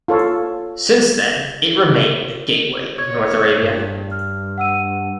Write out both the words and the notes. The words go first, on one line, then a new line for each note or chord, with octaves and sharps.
Since then, it remained a gateway of North Arabia.
F4 A4 C#5
C#5 G#6
G2
F6
F#5 E6 D#7